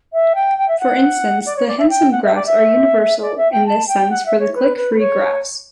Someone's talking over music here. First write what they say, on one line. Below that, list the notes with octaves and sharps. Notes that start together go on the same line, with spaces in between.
For instance, the Henson graphs are universal in this sense for the -clique-free graphs.
E5
G5
G5
E5
F#5
D5
C#5
D5
E5
G5
F#5
E5
D5
E5
D5
E5
G5
A5
G5
F#5
E5
C#5
B4
B4
B4
C#5